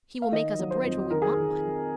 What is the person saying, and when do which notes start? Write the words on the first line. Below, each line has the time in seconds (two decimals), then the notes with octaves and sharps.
He will make us a bridge when we want one.
0.22 F5
0.32 D#3 D#5
0.59 F#3
0.71 C5
0.84 F2
1.10 D#3 A#4
1.22 G#4